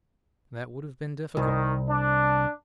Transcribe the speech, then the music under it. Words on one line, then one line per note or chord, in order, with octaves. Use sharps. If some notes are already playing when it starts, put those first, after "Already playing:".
"That would have been difficult."
C2 D#3
D4